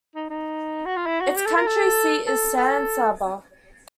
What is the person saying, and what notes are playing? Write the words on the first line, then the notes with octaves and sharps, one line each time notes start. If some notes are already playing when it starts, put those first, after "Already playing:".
Its county seat is San Saba.
D#4
D#4
F#4
F4
E4
F#4
G4
A4
A#4
A4
A4
A4